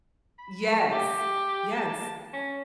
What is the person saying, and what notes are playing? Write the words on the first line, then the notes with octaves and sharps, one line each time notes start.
Yes. Yes.
B5
G4
A5
C#4